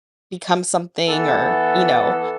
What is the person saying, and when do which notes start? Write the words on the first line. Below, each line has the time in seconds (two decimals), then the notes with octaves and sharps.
become something or, you know.
1.07 E3 B3 A4